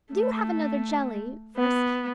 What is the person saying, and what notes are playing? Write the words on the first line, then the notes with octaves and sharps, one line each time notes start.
Do have another jelly first.
A3
B3